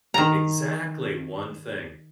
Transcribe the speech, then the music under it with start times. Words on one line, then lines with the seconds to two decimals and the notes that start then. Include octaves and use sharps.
Exactly! One thing.
0.14 D#3 A#5